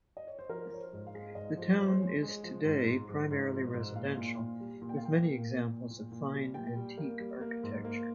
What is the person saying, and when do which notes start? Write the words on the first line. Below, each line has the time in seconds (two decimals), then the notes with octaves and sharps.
The town is today primarily residential, with many examples of fine antique architecture.
0.17 D#5
0.27 C#5
0.39 C5
0.49 F3 A#4
0.70 F3 C#5
0.78 C5
0.93 G#2
1.07 F5
1.14 G#3
1.35 G#2 D#5
1.57 F3
1.78 G#3 C#5
1.87 C5
1.94 C#5
2.01 G#3
2.22 G#3
2.43 F3
2.65 G#2
2.87 G#2
3.09 G#2
3.31 G#2
3.52 F3
3.74 G#2
3.95 A#2 F5
4.18 A#2
4.39 A#2
4.60 G3
4.82 A#2
4.89 G5
4.97 F5
5.03 A#3 G5
5.25 A#3
5.47 A#2
5.68 A#2
5.90 A#2
6.12 A#2
6.33 G3
6.54 A#2 G5
6.76 G3
6.98 A#3
7.20 G3
7.41 A#3
7.63 G#2
7.84 A#3